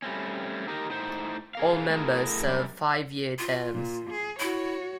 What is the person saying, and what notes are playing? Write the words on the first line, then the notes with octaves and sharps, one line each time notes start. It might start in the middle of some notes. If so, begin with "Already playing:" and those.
All members serve five-year terms.
G3 A3 C4 C#4
D#4 G4 A#4
A2 D#4 C5
G#4 A#4 F5
A3 E4 F#4 G#4 A#4
F#2 G3
F4
A#2
G#4
E4 F#4 C#5